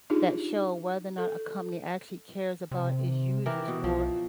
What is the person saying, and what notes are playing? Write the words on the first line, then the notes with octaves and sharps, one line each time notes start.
that show whether or not a company actually cares about its users or
D4 D#4 F4 G4 G#4
A4
C3
E3 G4 A#4
B2
B1 F3